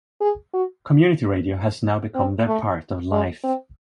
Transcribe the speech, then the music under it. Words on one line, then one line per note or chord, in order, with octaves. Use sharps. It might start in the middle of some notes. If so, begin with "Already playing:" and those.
Community Radio has now become their part of life.
G#4
F#4
C4
A3
G#3
C4